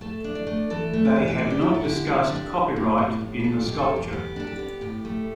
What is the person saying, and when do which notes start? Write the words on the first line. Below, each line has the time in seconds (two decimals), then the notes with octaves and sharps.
They had not discussed copyright in the sculpture.
0.01 A3 A4
0.24 D4
0.35 D5
0.47 A3
0.70 E3 A4
0.93 A3
1.05 D5
1.16 E3
1.28 E5
1.38 B3 D5
1.50 G4
1.61 E2 E4
1.74 A4
1.84 D3 G4
2.07 G3
2.29 D4
2.52 G3
2.76 A2
2.98 A2
3.21 A2
3.39 B4
3.43 E2 A4
3.61 G4
3.67 B2
3.78 A4
3.90 E2
3.96 G4
4.13 B3 G4
4.36 D4 A4
4.47 G4
4.59 B3
4.81 A2 G4
5.05 A3